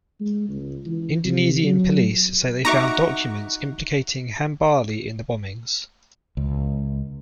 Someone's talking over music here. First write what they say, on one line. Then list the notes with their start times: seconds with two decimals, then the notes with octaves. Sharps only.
Indonesian police say they found documents implicating Hambali in the bombings.
0.20 G#3
0.49 C#2
0.86 E3
1.24 C3
1.63 F#3
2.65 D#4 F#4 E5 A#5 C#6 D6
6.37 C#2